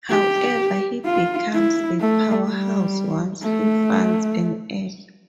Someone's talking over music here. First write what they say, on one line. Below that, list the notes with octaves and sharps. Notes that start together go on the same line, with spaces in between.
However, he becomes a powerhouse once he finds an egg.
G4
F4
E4
A3
G3
A3